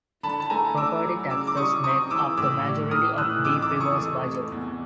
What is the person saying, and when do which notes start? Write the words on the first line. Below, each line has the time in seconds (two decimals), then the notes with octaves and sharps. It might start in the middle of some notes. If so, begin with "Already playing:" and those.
Property taxes make up the majority of Deep River's budget.
0.23 D3 A5 B5
0.40 A5
0.50 A3 G#5 A#5
0.77 D4 D6 E6
1.04 F#3
1.30 C#3 D6 E6
1.47 D6
1.57 G3 C#6 D#6
1.84 C4 C#6 D#6
2.10 E3 D6 E6
2.37 A2 D6 E6
2.64 G3
2.91 A2 D#6 F6
3.18 E3 E6 F#6
3.44 F2 D6 E6
3.62 D6 E6
3.72 E3
3.80 C#6 D#6
3.98 A3
4.25 C3
4.52 E2